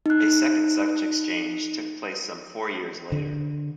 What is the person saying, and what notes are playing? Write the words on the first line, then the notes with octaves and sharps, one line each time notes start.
A second such exchange took place some four years later.
D#4 F#6
D3